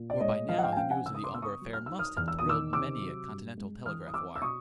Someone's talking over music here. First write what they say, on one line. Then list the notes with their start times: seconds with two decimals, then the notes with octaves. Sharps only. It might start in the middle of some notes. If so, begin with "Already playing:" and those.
For by now the news of the Omber affair must have thrilled many a Continental telegraph-wire....
Already playing: A#2
0.10 D5
0.20 G#3 C#5 D#5
0.49 F3 D#5 F5
0.59 F#5
0.63 F5 G5
0.73 G#5
0.77 C#4 F5 G5
0.91 F#5 G#5
1.04 C#3 E6
1.15 D#6
1.24 C6 D6
1.33 B3 E6
1.42 C#6 D#6
1.61 F#3
1.73 F6
1.86 D#4 E6
1.99 D#6 F6
2.17 E2 F6
2.28 E6
2.39 D#6
2.45 D#3 D6 E6
2.73 C3 D6 E6
3.01 F#3
3.29 G2
3.57 G#3
3.86 E3 D#6 F6
4.07 D#6
4.14 C4 D6 E6
4.36 E6
4.42 B2 C#6 D#6